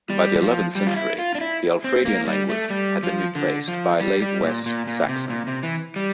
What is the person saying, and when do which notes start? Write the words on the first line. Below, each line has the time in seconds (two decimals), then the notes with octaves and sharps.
By the eleventh century, the Alfredian language had been replaced by Late West Saxon.
0.10 G3
0.42 F3
0.75 G3
0.87 F4
0.96 E4
1.19 F4
1.35 D4
1.41 E4
1.84 C4
2.05 A#3
2.27 G3
2.49 A3
2.70 G3
3.03 F3
3.35 D3
3.68 F3
4.01 G3
4.22 G3
4.43 A#2
4.66 A#2
4.87 A#2
5.09 C3
5.30 A#2
5.47 C3
5.63 E3
5.96 G3